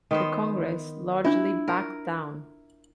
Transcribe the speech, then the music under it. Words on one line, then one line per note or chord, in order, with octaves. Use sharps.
The Congress largely backed down.
D#3 B3 C5
D4 E4 F4
A#4